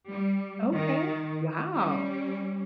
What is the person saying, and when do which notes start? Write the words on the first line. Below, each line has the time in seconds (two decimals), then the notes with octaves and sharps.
Okay. Wow.
0.11 G3
0.75 D#3
1.76 G3 C#4